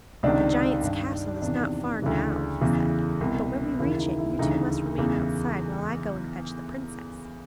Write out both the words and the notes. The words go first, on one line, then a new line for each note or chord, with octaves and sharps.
'The giant's castle is not far now,' he said, 'but when we reach it you two must remain outside while I go and fetch the princess.
C#2 C3 D#3 D4
G2 D#3
E2 C3 D#3 D4
D2 C#3 E3
E2 C#3 E3
C2 B2
D#2 C#3 E3 E4
D#4
E4
D2 C#3 E3 D#4
E2 C#3 E3